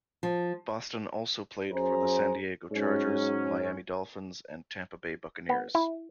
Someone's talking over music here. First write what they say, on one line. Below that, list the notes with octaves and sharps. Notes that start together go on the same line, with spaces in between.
Boston also played for the San Diego Chargers, Miami Dolphins, and Tampa Bay Buccaneers.
F3
F#2 G#4 C5 A#5
G#2 F#3 C#4
B3
E4